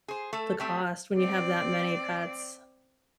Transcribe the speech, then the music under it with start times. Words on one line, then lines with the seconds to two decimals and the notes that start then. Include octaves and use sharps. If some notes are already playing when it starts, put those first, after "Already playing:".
the cost when you have that many pets.
0.08 G#4 C5
0.33 A3 A4
0.60 G3 A3 C4
1.15 C4 D5